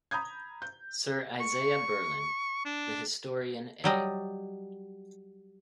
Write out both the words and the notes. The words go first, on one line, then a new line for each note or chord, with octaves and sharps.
Sir Isaiah Berlin, the historian A.
A#5 B5 D#6 G6 G#6
G6
C#6
D4
F#3 G3 D#5